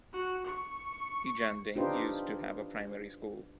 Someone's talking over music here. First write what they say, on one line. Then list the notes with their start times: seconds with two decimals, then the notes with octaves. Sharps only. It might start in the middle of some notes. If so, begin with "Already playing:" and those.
Ejanding used to have a Primary school.
0.14 F#4
0.47 C#6
1.76 D4 D#4 F4 G4 B4 C5